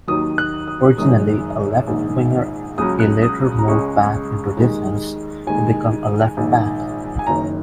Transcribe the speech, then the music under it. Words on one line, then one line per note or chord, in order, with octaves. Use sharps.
Originally a left-winger, he later moved back into defence to become a left back.
D#2 D#3 F#3 D#6
F#6
D#6
F#1 F#2 D#3 G#3 D#6
A#1 G#2 D#3
C#2 C#3 F#3 D#6
F#6
D#6
A#5
C#2 C#3 G#3 C#6
D#2 D#3 G#3
D#2 D#3 G#3 G#5
A#1 G#2 D#3
G#5
F#1 F#2 D#3 A#5